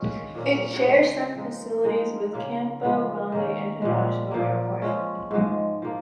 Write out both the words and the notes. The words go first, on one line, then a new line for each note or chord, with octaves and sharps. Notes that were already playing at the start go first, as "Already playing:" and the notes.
It shares some facilities with Campo Grande International Airport.
Already playing: D#3 C#4 F4 G#4
A#2 A#3 C#4
C#3 G#3 D#4
F3 G#3 D#4
F3 G#3 D#4 G#4
C#3 A#3 F4
F3 G#3 F4
D#3 A#3 C#4
A#2 F3 G#3
A#2 F3 A#3
F3 G#3 C#4
G#2 F3 G#3
F3 A#3